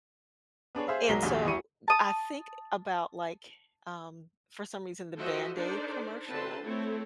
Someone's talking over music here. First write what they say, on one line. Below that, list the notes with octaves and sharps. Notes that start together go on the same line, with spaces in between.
And so I think about, like, um, for some reason, the Band-Aid commercial.
B3 D4 G#4 C#5
G#4 C5 E5 F5
B1 F#3 G#3 A#4 B6 G7
A#1 D#2 A#2 F#4 G#4
E2 E4 C#6 C#7 D#7
A5 D#6
F3 F#4 A4 C5 D#5 E5
D4 D#4 A4 A#4 C5 D5
D3 C4 F4 B4 A5 C6
A3 C4 E4 A4 C#5